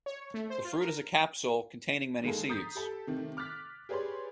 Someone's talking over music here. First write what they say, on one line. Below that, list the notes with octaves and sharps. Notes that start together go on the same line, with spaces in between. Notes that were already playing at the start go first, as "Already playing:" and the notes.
The fruit is a capsule containing many seeds.
C#5
A3
C5
F4
A#4
D#3 G#3 A#3 G#4 A4
A#5 D#6 G6 A6 B6 C7
G4 A4
C3 D#3 A3
D6 F6 F#6 A6 B6
G4 G#4 B4 C#5 D5 C6